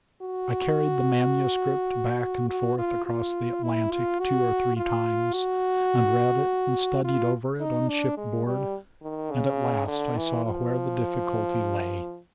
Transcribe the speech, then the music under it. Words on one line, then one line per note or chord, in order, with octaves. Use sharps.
I carried the manuscript back and forth across the Atlantic two or three times, and read it and studied over it on shipboard; and at last I saw where the difficulty lay.
F#4
F#4
F4
F4
E4
F4
F#4
F4
F#4
F4
D#4
D4
G#3
G3
D#3
C#3
D3
E3
F3